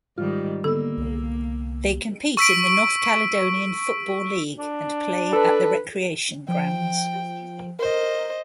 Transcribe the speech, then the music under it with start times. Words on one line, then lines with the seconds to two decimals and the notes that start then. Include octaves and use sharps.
They compete in the North Caledonian Football League and play at the Recreation Grounds.
0.18 G#2 D#3 G3 F4
0.64 D3 A#3 B3 A4 E6
0.97 C2
2.37 C#6 E6 B6 D7
4.59 D4
5.33 A4 B4
6.49 F3 G5
7.79 A#4 C5 D#5